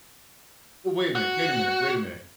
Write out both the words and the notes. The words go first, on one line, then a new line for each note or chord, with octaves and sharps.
Wa wait a minute wait a minute wait a minute,
F#4